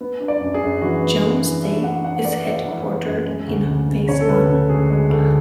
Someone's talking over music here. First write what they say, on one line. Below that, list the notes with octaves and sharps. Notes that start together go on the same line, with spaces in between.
Jones Day is headquartered in Phase I.
B3
D4
D5
F#2
G#4
F#2
E3 F#4
B3
D4
E3
D4 E5
D4 F#5
D4 F#5
B3 D5
B3 E5
F#5
E3 E5
B3
F#2
G#3
D2
C#3
C#3
C#3 C#5
A4
D2 B4
C#3 A4
D2 G#4
G#3 G#4
D2 A4